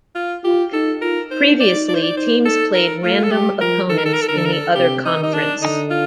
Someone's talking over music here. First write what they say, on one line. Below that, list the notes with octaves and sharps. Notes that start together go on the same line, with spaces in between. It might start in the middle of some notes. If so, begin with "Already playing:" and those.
Previously, teams played random opponents in the other conference.
F4
F4 G4
D#4 A4
F4 A#4
D#4 C5
D5
D#4
D5
C5
D5
D#4 C5
A4
A#4
A3 F4
A4
G3 G4
F3 A#4
D#3 A4
A#4
A4
A#4
A4
A#4
D3
A4
A#4
A4
C3 G4
D#4
D#3 D#4
D4
D3 D#4
F4